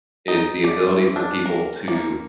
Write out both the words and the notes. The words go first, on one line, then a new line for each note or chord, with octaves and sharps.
is the ability for people to
D#4
D5
E3
D4
A#4
A#3